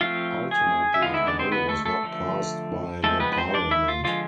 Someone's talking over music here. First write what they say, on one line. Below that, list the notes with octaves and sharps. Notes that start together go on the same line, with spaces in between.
Ultimately the bill was not passed by the Parliament.
F3 A3 C4 F4 F5
G#4 G#5
E5
D3 G#3 B3 F4 F5
E4 E5
D4 D5
C4 C5
B3 B4
A3 A4
A3 A4
D3 F3 A3
F3 G#3 A3 C4 A4
B3 B4
B4
C4 C5
D4 D5
E4 E5
F4
D3 F3 G#3 F4